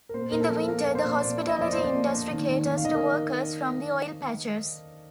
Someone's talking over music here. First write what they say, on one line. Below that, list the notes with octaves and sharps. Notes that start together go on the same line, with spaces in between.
In the winter, the hospitality industry caters to workers from the oil patches.
A#4
A#2 C5
A#2 A#4
A4
F3
A#3 A#4
D4
C5
A#2
A#2 D5
D4
D#5
F3 D5
F3 C5
D5
A#3
D4
D#3
D#3
D#3
F5
D#3 D#5
A#4